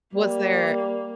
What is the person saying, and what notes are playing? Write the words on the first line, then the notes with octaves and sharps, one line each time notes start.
Was there
G3 A#3